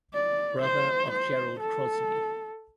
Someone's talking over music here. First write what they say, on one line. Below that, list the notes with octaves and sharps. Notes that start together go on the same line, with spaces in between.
Brother of Gerald Krosney.
D5
C5
C5
A4